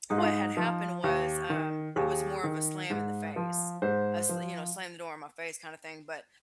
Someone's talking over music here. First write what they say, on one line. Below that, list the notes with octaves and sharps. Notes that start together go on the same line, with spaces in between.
what had happened was, um, it was more of a slam in the face. A s you know, slam the door in my face kinda thing, but,
G#2 D#4
F4
D#4
F3
D#2
D#3
D#2 G#4
D#3
G#2
F3
G#2 C5
F3